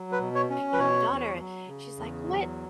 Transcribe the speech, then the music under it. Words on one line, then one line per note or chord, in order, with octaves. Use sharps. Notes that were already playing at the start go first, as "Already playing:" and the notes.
you know, my daughter." She's, like, "What?
Already playing: F#3
B4
B2
C#5
C#4
B4
B2 C#5
E2
F#3
C#3
E2
F#3